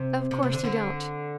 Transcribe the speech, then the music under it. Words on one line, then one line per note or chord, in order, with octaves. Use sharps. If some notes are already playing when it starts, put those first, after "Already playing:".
Of course you don't.
Already playing: C3
C3
C3
D3
D3